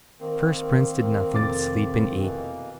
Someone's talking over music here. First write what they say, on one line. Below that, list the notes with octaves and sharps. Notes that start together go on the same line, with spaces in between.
At first Prince did nothing but sleep and eat.
D#3 A#3 C4 A#4
F1 D6 A6
B2 E3 A#3 B4